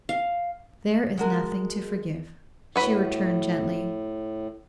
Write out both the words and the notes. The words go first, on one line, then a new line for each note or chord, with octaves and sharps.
"There is nothing to forgive," she returned gently.
F5
G#3 F#4 A#4
A2 F#4 B4 B5